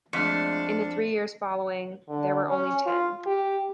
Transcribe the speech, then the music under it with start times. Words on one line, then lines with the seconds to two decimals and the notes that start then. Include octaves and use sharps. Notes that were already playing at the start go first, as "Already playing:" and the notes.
In the three years following, there were only ten.
0.13 F2 G#3 A3 D4 F6 B6 C#7
2.08 D3
2.48 C#4
2.86 F4
3.26 G4